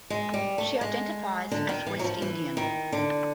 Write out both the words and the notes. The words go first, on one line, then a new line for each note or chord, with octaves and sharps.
She identifies as West Indian.
G#3
G3
A3
G#3
D3
D#3
E3
F#3
F3
E3
D#3
D3